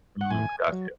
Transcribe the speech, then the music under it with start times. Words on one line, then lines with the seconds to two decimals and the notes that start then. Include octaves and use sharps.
Mm, got you.
0.21 F#5
0.31 A2 G#5
0.72 F#3